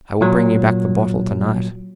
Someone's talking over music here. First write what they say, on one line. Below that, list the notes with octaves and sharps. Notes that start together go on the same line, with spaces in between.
"I will bring you back the bottle to-night."
A#2 F#3